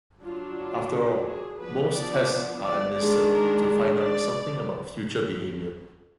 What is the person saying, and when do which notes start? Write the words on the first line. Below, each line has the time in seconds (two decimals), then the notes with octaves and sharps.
After all, most tests are administered to find out something about future behavior.
0.23 F#3 D4 F4
0.58 F4
1.26 G#4
1.59 F3 B3 D4 B4
1.93 D5
2.62 D5
2.96 D#3 G#3 D4 D5
3.29 A#4
3.98 D5